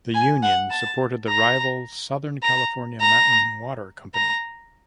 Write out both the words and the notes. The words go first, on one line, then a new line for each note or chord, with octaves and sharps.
The "Union" supported the rival Southern California Mountain Water Company.
G#5
F#5
A5
A#5
A#5
A#5
A#5